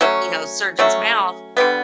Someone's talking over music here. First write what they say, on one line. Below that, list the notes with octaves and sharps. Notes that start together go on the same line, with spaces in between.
you know, surgeon's mouth
F#3 A3 C#4
F#3 A3 C#4
D3 G3 B3